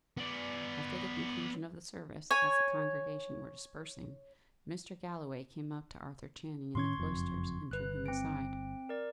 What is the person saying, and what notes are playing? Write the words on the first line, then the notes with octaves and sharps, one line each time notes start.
After the conclusion of the service, as the congregation were dispersing, Mr. Galloway came up to Arthur Channing in the cloisters, and drew him aside.
B3 D5
C#5 G#5
A2 D#3 C#4 C6 C#6 G#6
F#1 F2
G1 B4 F#6
C4 D7
A#4 D5